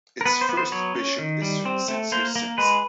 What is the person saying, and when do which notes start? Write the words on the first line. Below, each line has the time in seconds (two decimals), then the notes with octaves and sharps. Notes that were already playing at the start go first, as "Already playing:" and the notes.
Its first bishop is Vincentius Sensi.
0.21 A#4
0.25 B3 B4
0.41 C5
0.49 B3
0.57 C5
0.72 F#3 C#5
0.95 C#4
1.19 D#3
1.42 G3
1.65 C4
1.88 A3
2.12 A#3 C5
2.36 A#3
2.58 G#3 B4